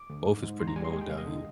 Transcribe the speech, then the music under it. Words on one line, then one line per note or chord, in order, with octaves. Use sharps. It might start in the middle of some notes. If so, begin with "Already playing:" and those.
both is pretty known down here.
Already playing: D6
D2
G#2
G#2
D2 C6
A#5
G3 G#5
C6
G#3 G#5
G5
C2 F5
D#5
D3